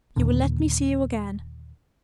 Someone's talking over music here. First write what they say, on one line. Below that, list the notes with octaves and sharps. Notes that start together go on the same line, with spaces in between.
You will let me see you again?
D#2 A#2 D3